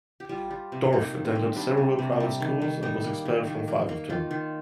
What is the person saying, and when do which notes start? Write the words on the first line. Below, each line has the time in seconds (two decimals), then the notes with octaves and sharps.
Dorff attended several private schools, and was expelled from five of them.
0.20 G4
0.29 G3 F4
0.51 G3
0.72 C3
0.93 A#3 D#4
1.14 D#3
1.25 C4
1.35 A#3
1.56 G3 D4
1.77 C3
1.99 C3
2.20 G3
2.40 D#3
2.61 D#3
2.83 G3 D#4
3.04 A#3
3.25 D#3
3.47 D#3
3.68 A#3
3.89 A#3
4.10 D#3 F4
4.31 D#3